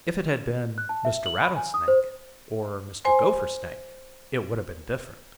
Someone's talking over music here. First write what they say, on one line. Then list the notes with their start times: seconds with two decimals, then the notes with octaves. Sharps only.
If it had been Mr. Rattlesnake or Mr. Gophersnake, it would have been different.
0.78 F#6
0.89 A5
1.05 E5
1.26 F#7
1.41 B5
1.56 G#5
1.74 D#6
1.88 C5
3.05 C5 G#5 C6